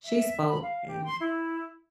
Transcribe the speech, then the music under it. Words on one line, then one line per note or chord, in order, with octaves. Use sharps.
she spoke and
E5
B5
F5
G4
C6
E4